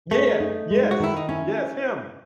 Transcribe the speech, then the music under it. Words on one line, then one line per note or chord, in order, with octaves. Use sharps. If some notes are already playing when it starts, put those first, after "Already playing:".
Yeah, yeah. Yes. Yes, him.
A3 G#4
D#4
G#3
F#4
D#3 E4
D#4
C#4 E4